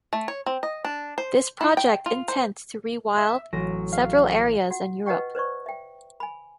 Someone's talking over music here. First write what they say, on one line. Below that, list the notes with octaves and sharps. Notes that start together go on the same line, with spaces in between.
This project intents to rewild several areas in Europe.
A3
C#5
C4
D#5
D4
C5
E4
G5
F4
C5
E5
A1 F#3 A#6
F5
F4 F#4 F#5
B4 D#5 F#5 G5 C#6
B4 C5 D5 C#6
E5 G5
G#5 B5